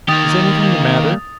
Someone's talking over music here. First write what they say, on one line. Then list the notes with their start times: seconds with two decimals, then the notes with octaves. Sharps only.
'Is anything the matter?
0.09 D#3 A#3 G4 D#6 A6 F7